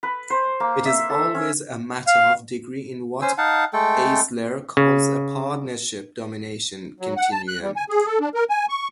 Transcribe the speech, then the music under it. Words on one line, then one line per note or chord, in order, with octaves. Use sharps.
It is always a matter of degree in what Eisler calls a partnership-domination continuum.
B4
C5
A#3
E5
A4
C#4
F5
C#4 C5 G#5 E6
D#4 F5 F#5 A5
G#3 A3 A4 G5
C#3
F#3
F#5
A5
F#6
G3
G#5
G#4
A4
D4
A#4
G#5
C#6